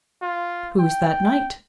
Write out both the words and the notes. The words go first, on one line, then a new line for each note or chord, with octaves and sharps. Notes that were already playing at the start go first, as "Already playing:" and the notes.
Who is that knight?
F4
G5